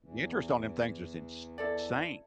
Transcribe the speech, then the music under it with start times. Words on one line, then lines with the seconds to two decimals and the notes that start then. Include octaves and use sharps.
The interest on them things is ins sane.
0.02 E2 E3
1.58 E4 A4 D5